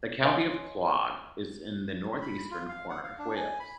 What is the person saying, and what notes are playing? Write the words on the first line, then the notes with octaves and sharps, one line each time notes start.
The county of Clwyd is in the northeastern corner of Wales.
C#5 D#5 F5 G#5 C6
B5
F4
F5
F#5
F5
D4
G#5
B5